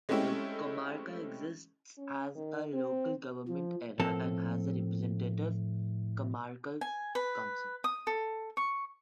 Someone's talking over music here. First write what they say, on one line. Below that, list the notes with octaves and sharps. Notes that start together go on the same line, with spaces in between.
The comarca exists as a local government area, and has a representative comarcal council.
G#3 A3 C4 C#4 E4 G4
C#4
D#3
C4
F3
A2 F3 C4 A4 A#4 A5
G#5
B4
D#6
A4
C#6